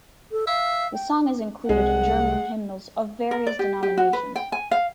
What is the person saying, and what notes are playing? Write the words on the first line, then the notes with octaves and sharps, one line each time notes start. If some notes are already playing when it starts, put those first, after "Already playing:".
The song is included in German hymnals of various denominations.
A4
E5 F5
G5
C2 G#3 F#5
A#4
D5
G4
G4
F#4
B4
G5
G#5
F5